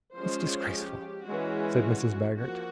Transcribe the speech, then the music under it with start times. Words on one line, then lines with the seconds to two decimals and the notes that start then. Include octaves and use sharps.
"It's disgraceful," said Mrs. Baggert.
0.15 F3 G#3 C#4 C5
0.71 G4
1.26 E3 G#3 C#4 F#4
2.37 F3 A#3 F#4